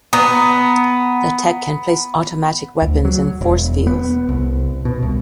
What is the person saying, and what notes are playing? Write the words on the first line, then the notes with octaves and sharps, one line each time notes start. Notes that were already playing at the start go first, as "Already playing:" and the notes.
The Tech can place automatic weapons and force fields.
B3 A#5 D#6
D2
F#3
E1
B3
C2
B2
C2